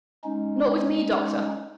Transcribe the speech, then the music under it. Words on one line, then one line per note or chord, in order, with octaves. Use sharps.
'Not with me, Doctor.
G#3 C#4 D#4